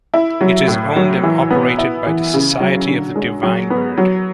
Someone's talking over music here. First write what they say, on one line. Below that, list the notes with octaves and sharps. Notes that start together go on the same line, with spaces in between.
It is owned and operated by the Society of the Divine Word.
E4
F#3
A2
F#3
E3
B3
E4
E3
C#3
F#3
D3
G#3
F#3
B3
F#3